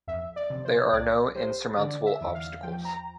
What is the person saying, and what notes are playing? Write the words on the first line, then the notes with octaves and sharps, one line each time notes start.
There are no insurmountable obstacles.
F2 E5
D5
C3
C5
C2 D5
G3 C5
D3 D5
E5
E2
F5
F3 G5
A#5